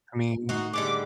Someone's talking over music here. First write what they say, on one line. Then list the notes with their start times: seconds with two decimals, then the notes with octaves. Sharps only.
I mean
0.49 A2 D#3 D#4 F#4 C7
0.73 D3 G3 G#3 D6